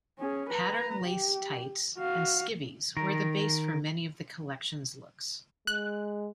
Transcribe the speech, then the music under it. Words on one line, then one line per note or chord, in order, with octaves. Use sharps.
Patterned lace tights and skivis were the base for many of the collection's looks.
C#4 G#4
B4 A#5
G4
F#4 F5
D#3 A#4
G#3 F#6